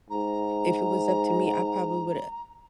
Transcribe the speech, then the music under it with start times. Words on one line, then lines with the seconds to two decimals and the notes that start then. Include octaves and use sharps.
if it was up to me, I probably woulda
0.10 G#2 A#5